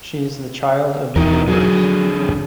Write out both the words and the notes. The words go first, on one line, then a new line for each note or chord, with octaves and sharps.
She is the child of the universe.
E2 D#4 E4 A#4
D3 F#3 G#4